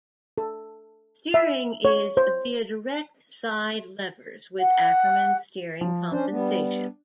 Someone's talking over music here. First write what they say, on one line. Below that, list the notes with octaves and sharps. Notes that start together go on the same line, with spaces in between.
Steering is via direct side levers with Ackerman steering compensation.
A4
E5
C#5
C5
F#5
F3
C#4 D4 C5
G3 B3